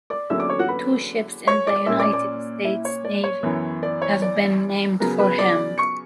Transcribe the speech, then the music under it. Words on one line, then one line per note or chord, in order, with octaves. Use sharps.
Two ships in the United States Navy have been named for him.
D5 D6
E2 D3 F#3 A#3 C#4 E5 E6
D5 D6
C#5 C#6
F#4 F#5
B4 B5
C#5 C#6
D5 D6
A#2 A#3 C#4 E5 E6
D5 D6
D5 D6
E4 E5
C#5
D5
C#5
F#2 E3 B3
D5
C#5
D5
C#3 F#3 B3 A#4 A#5
B4 B5
D5 D6
C#6 C#7